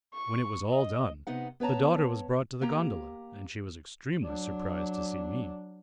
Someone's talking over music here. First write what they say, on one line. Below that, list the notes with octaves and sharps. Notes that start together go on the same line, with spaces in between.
When it was all done, the daughter was brought to the gondola, and she was extremely surprised to see me.
C#6
D#5
C3 B3 D#4 F#5
B3 B4 C#5 A5 A#5
A#3 G4 A#5
F#3 D4